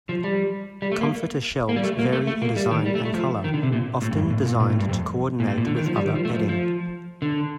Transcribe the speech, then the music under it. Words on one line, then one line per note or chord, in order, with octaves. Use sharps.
Comforter shells vary in design and color, often designed to coordinate with other bedding.
F3
G3
G3
A3
A#3
A#3
G3
A3
A#3
A3
A3
A#3
G3
D#3
G3
A3
A3
F3
D#3
D3
C3
A#2
A2
F2
G2
A2
A#2
A#2
A2
G2
F2
A#2
A2
A#2
D3
D#3
F3
G3
D#3
F3
A3
F3
F3
D3